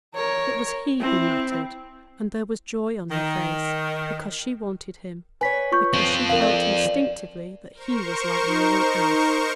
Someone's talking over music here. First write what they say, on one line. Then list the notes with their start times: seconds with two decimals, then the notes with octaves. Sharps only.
It was he who mattered and there was joy on her face because she wanted him because she felt instinctively that he was like no-one else.
0.15 A#4 C#5
1.00 C4 E4
3.11 D#3
5.41 B4 C#5 G#5 B6
5.72 F4 C#6 G6
5.94 F3 C4
6.29 D3 G3 A#4 F5
6.41 D5
7.74 A#4 C5 C#6
8.47 D#4